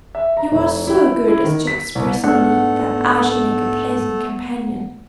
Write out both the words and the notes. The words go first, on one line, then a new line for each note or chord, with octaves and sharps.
You are so good as to express a belief that I should make a pleasant companion.
E5
A#5
F1
E4
E4
E4
D#3
B6
C2
G#2 A3 B3 D4 F#5